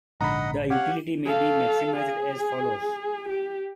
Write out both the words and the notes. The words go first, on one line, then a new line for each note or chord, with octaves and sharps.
The utility may be maximized as follows.
A#1 G#2 D3 D#5 F#5 A#5 B5
G4 C#5 F5 F#5
A4 F5
G#4
G4